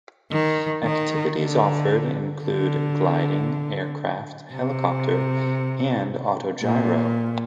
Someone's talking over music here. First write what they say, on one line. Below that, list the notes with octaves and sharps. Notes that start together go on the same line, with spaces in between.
Activities offered include gliding, aircraft, helicopter, and Autogyro.
D#3
D#3
D3
D3
C3
A#2